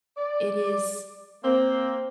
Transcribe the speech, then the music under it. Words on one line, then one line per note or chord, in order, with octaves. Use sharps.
It is
D5
A#3 C4